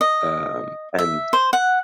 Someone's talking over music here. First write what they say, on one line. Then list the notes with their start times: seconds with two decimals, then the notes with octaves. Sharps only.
Um, and
0.01 D#5
0.99 E5
1.33 C5
1.53 F#5